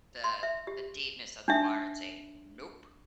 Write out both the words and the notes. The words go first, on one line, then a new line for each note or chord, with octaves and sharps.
the the deepness of the water and say, "Nope."
C6
E5
G4
D4 D#4 E5